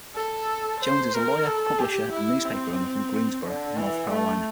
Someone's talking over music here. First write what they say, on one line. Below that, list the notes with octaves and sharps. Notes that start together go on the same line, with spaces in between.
Jones is a lawyer, publisher and newspaper owner from Greensboro, North Carolina.
A4
C5
A#4
A4
G4
E4
C4
D3
E3
A3